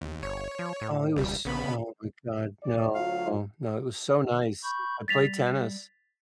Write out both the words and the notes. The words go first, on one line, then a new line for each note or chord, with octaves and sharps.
Oh, it was Oh my god, no, no, it was so nice. I played tennis,
D#2
G1 C#5
F3
A2
E1 C#2 G3
A#1 C#3 B3 B5
D5
D2 F#3 F4 F5
B5 C#6 G6
G3 A6 B6 F7